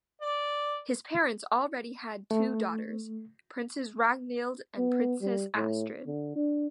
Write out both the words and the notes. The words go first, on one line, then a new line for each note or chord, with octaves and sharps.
His parents already had two daughters, Princess Ragnhild and Princess Astrid.
D5
A3
B3
G3
A2
D3
D4